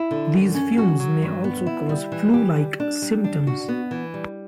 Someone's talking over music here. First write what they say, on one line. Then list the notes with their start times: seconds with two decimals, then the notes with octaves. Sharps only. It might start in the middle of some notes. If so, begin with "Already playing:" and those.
These fumes may also cause flu-like symptoms.
Already playing: E4
0.11 D3
0.33 F#2
0.54 C#4
0.78 F#4
1.00 F#3
1.22 G2
1.44 B3
1.67 E4
1.89 G3
2.12 E3
2.34 G4
2.56 G3
2.80 D4
3.02 G3
3.24 D4
3.47 F#4
3.68 B3
3.91 E3
4.14 G3